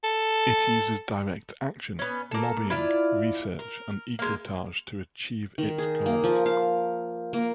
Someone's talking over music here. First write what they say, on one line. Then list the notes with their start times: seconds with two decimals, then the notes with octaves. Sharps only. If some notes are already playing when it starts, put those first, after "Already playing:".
It uses direct action, lobbying, research, and ecotage to achieve its goals.
0.04 A4
1.99 B3 C#4
2.31 A#3 A4
2.70 E4 F4 D5
3.59 A#4
4.19 G#3 A#3
5.58 D#3
5.78 G#4
6.06 A#3
6.24 F3
6.46 F5
7.33 A#3